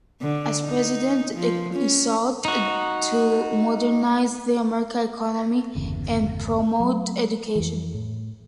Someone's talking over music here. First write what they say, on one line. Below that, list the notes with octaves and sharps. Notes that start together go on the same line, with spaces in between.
As president he sought to modernize the American economy and promote education.
D3
D#4
F3
C#4
D#4 F#4
G1 E2 C#3
F#3 G#3 A3
F2 E3
A2